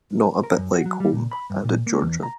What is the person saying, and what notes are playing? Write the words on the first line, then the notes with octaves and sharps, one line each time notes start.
"Not a bit like home," added Georgia.
A#4
F#2
F#4
F#3
G3
A#2
B5
G2
A#2
A#3
E2
A#5